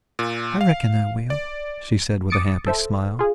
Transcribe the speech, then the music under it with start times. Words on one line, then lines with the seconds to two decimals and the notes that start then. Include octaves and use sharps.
"I reckon I will," she said with a happy smile.
0.19 A#2
0.61 F5
1.30 D5
2.30 D6 D#6 A6 C#7 D7
2.67 A4 C5 E5
3.19 F4 G#4